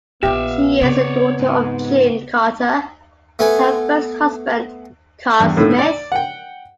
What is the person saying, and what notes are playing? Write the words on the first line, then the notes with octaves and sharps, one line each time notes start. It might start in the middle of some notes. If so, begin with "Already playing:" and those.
She is the daughter of June Carter and her first husband, Carl Smith.
A#1 B3 F4 G4 E5 F5
C#3 C4 C#5 D5
G#2
A3 B3 G#5
E2 G2
A2 D3 D#3 A3
D5
F#5 G5